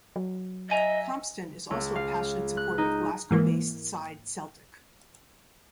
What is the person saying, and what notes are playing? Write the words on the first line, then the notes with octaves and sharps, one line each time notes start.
Compston is also a passionate supporter of Glasgow based side Celtic.
F#3
D#5 E5 G#5 A#5
C#2
F5
F#6
D#4
G#2 E3 A#3